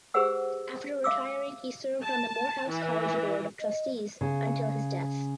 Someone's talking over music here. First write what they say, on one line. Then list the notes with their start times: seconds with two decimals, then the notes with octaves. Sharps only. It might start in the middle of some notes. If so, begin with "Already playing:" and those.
After retiring he served on the Morehouse College Board of Trustees until his death.
0.14 G4 G#4 B4 C5 F#5 E6
1.04 E5 F5 D6 E6
2.03 A5
2.69 E3
3.60 D#5
4.21 C#3